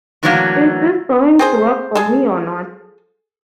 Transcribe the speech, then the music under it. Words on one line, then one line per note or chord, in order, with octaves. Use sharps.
Is this going to work for me or not?
A2 D3 E3 F#3 G3 A#3
C4 G#4 C5
G#4 A4